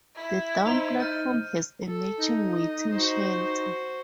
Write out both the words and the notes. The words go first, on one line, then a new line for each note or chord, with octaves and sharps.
The down platform has a matching waiting shelter.
E4
D#4 C5 A#5 C6
F6 G6 A6 D#7
A4
D#4
D#5
F#4 C5